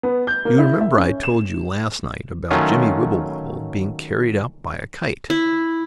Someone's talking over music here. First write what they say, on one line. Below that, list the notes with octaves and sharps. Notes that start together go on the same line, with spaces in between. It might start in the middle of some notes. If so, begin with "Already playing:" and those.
You remember I told you last night about Jimmie Wibblewobble being carried up by a kite.
B3
G6
A#3
E4
E5
C#4
E7
D#3 F#3 A3 C#4 F4
E4